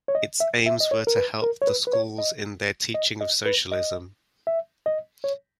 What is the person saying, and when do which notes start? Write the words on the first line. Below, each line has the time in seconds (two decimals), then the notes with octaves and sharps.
Its aims were to help the schools in their teaching of Socialism.
0.08 C#5
0.15 D#5
0.40 E5
0.66 E5
0.81 D#5
0.91 C#5
1.07 A#4
1.17 B4
1.42 A#4
1.62 C#5
1.67 B4
1.87 B4
1.93 C#5
2.18 D#5
2.94 D#5
3.21 D#5
3.46 B4
3.72 D#5
4.47 E5
4.86 D#5
5.24 C#5